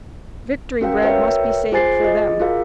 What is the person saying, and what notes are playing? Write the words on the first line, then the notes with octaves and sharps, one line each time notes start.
Victory bread must be saved for them.
C#4 F#4 A#4 F5 G5
F#4 A#4 B4 C#5 E5 G5
F4 G#4 C5 G#5 A6 C7
F4 G#4 D#5
F4 F#4 G#4 A#4 F5